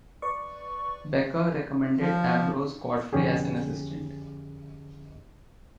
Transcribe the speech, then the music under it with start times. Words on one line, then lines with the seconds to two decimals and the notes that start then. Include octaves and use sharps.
Becher recommended Ambrose Godfrey as an assistant.
0.22 B4 D5 C#6
2.00 F3
3.13 F2 D3 C#4 G4 G#4